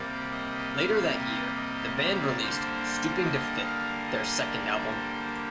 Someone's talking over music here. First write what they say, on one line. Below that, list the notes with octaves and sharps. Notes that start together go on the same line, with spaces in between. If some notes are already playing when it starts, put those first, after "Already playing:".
Later that year, the band released "Stooping to Fit", their second album.
Already playing: C3 G3 A#3 D5
D#5
F5
D#5
D#5
D5
D3 G3 A#3 C5
D#5
F5
D#5
D5
C5